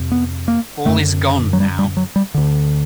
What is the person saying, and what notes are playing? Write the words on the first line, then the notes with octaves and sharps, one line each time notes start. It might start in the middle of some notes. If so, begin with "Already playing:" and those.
All is gone now.
Already playing: F2 C3
B3
A#3
F#2 D3 A3
F#3
G3
G3
F#3
G3
D2 D3